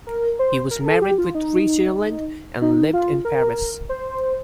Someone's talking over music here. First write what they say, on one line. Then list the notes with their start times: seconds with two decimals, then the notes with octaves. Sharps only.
He was married with three children and lived in Paris.
0.07 A#4
0.39 C5
0.71 A#4
0.86 A4
1.02 G4
1.18 F4
1.35 D#4
2.62 D#4
2.93 F4
3.25 A#4
3.89 C5